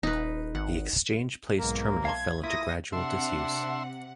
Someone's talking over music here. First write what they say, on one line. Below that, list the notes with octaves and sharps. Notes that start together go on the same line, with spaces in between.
The Exchange Place terminal fell into gradual disuse.
D#1 D#4 B4
G#1 F#5
B1 G#2 A#3 A#4
F5 A5 C6 G#6
A#3 E4 F4 D#6 A#6
C3 D4 E5 F#5 C6